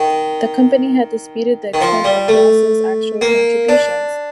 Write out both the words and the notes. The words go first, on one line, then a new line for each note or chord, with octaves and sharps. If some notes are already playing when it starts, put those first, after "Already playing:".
The company had disputed the extent of Ross's actual contributions.
Already playing: D#3
D#3
F3
G3
A3
A#3
D4